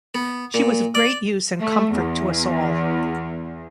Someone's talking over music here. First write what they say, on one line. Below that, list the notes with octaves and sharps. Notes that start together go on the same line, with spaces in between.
She was of great use and comfort to us all.
B3
A#2
D5
A3
E2